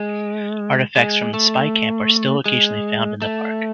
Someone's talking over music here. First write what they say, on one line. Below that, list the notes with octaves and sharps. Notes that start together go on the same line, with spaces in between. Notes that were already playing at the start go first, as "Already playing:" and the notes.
Artifacts from the spy camp are still occasionally found in the park.
Already playing: G#3
G#3
A3
G#3
A3